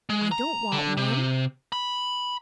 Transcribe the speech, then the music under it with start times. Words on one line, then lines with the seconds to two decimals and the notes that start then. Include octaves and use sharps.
"I don't want one."
0.09 G#3
0.32 A#5
0.72 D3
0.97 C3
1.72 B5